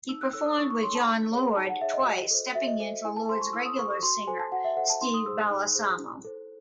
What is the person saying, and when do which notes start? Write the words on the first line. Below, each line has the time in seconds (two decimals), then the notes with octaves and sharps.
He performed with Jon Lord twice, stepping in for Lord's regular singer Steve Balsamo.
0.09 D#4 E6
0.21 F#6
0.33 A4 C#5 E6
0.46 D#6
0.58 D#4 C#6
0.70 C#6
0.83 A4 C#5 C6
0.95 A5
1.08 D#4
1.32 G#4 C#5
1.56 D#4 A5
1.69 F#5
1.81 G#4 C#5 E5
1.94 D#5
2.06 F#4
2.31 A4 C5
2.55 F#4 E5
2.67 D#5
2.80 A4 C5
3.04 E4 G#5
3.16 A5
3.29 A4 C5 C6
3.41 C#6
3.53 E4 E6
3.66 D#6
3.78 A4 C5 C#6
3.90 C#6
4.03 F#4 C6
4.27 A4 C5 G#5
4.39 A5
4.52 F#4 F#5
4.64 E5
4.77 A4 C5 F#5
4.90 A5
5.01 D#4 C6
5.14 D#6
5.26 G#4 C5 E6
5.38 F#6
5.50 D#4
5.75 G#4 C5
6.00 E4
6.24 A4 C5